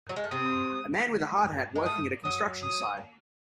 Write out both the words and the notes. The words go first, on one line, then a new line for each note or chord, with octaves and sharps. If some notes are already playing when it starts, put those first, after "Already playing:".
A man with a hard hat working at a construction site.
F#3
G#3
A3
C3 C4 D#6
G#3
A2 A3 D#6
F#3 D#6
D#6